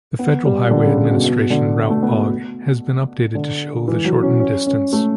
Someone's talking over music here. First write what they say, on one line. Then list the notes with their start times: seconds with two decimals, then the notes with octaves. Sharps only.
The Federal Highway Administration route log has been updated to show the shortened distance.
0.19 B3
0.45 G3
0.71 D3
0.84 C#3
0.97 C#3
1.11 B2
1.24 B2
1.50 D3
1.90 A3
2.03 B3
3.35 D3
3.88 E3
4.05 F#3
4.23 C#4
4.40 C#4
4.67 C#4
4.93 A3